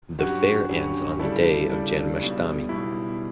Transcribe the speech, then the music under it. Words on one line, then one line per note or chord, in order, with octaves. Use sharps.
The fair ends on the day of Janmashthami.
G2 F#3 C#4 F#4 G4
G2 F#3 C#4 G4
C#3 G3 D4 E4 A4
C#3 G3 D4 A4
B1 B2 G3
B1 B2 G3 E4